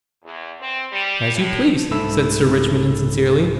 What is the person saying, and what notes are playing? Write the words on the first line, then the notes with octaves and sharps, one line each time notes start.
"As you please," said Sir Richmond insincerely.
E2
C4
G3
A2
C2 G#2 A3 A4 B5 E6